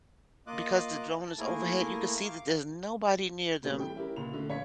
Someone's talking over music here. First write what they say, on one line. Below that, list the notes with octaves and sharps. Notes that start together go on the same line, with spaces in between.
because the drone is overhead, you could see that there's nobody near them
A#3 F4 D#5 D6 D#6 F#6
A5
A3 A#3 E4 G#4 A#4 G#5
F5 D6
A#2 F3 G3 A3 C4
E3 G3 A3 G5
C#4 E4 G4 A#4
C#2 A#2 F7
B2 D3 A3
A#1 C#5 F5 B6 C#7